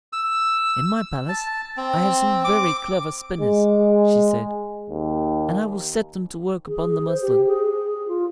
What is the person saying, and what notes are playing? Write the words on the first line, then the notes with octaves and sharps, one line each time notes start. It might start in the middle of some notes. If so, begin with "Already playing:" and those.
"In my palace I have some very clever spinners," she said; "and I will set them to work upon the muslin."
E6
A5
C4
D6
G#3
D#2
G#4
G#4
C5
G4
G#4
G#4
F4